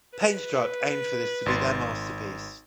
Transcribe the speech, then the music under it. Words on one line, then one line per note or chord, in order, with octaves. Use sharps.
Painstruck aimed for this to be their masterpiece.
B4
G#1 C6 A6